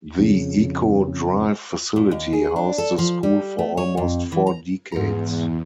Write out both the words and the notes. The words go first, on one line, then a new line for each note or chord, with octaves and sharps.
The Echo Drive facility housed the school for almost four decades.
F2 C#3
A#2
D#2
G#4
D4
A4
F3
G3
A3
C#5
F2
E3
A#5
E2 G#2 A#5